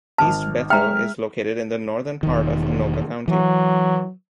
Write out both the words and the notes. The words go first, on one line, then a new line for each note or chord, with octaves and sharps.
East Bethel is located in the northern part of Anoka County.
G#1 A5 F6
G#3 E5 G5 A#5 F6
E1 D#3
E3 F#3